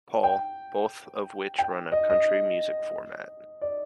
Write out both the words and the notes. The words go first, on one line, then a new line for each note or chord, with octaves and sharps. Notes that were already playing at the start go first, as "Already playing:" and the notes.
Paul, both of which run a country music format.
G5
G5
D#5
D#5
D5